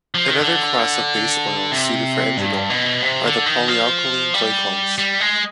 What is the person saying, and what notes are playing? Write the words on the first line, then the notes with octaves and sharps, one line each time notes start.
Another class of base oils suited for engine oil are the polyalkylene glycols.
F3
D#3
D3
C3
G2
B2
C3
D3
D#3
F3
G3
G3
G#3